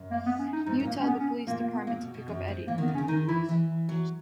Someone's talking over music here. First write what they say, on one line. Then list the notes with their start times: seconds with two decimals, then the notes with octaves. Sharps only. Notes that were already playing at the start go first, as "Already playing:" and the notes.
You tell the police department to pick up Eddie.
Already playing: F#2
0.11 A#3
0.26 B3
0.39 C#4
0.53 D#4
0.66 G#2 D#4
0.80 A#2
0.86 A#3
0.93 G#2
1.00 C#4
1.06 A#2 B3
1.20 C#4
1.47 A#2 A#3
1.60 A#3
1.74 B3
1.87 A#2 A#3
2.01 B2
2.14 B2
2.28 F#2
2.48 G#2
2.67 E3 A#3
2.78 D#3 B3
2.88 C#3
2.95 C#4
2.98 D#3
3.08 D#3 D#4
3.28 E3 E4
3.49 E3
3.89 F#3